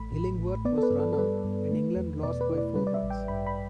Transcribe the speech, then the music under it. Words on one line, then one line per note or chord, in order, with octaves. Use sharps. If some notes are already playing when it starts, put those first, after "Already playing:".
Illingworth was run out, and England lost by four runs.
Already playing: A1 A3 B5
A2
A1
B3 D5
A4
B4
G2
A4
A4
G3 B4
G2
A3
E2
B2 D5
B4
E4
D5
G3 B4
D5
E5
A1
G5
G2 B5
B5